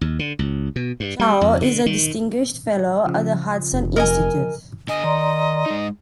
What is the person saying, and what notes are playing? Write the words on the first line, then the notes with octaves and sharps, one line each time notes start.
Chao is a distinguished fellow at the Hudson Institute.
D#2
D3
C#2
B2
G2
G3
F2
D3
D#3
C#3 F3
F1
A#4 D#5 G#5
D3 D#5 G#5
D#3 D5 A#5 C6
G#3 D#4